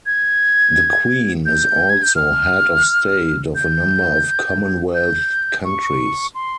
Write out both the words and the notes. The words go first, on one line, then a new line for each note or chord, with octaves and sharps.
The Queen is also Head of State of a number of Commonwealth countries.
G#6
G6
G#6
G6
F6
G6
G6
C#6
C6